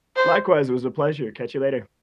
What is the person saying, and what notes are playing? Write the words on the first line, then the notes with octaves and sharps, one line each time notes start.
Likewise, it was a pleasure, catch you later.
C5